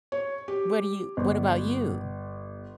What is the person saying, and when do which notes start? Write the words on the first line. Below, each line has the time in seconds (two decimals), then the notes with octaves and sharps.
What do you what about you?
0.12 C#5
0.48 G4
1.17 G1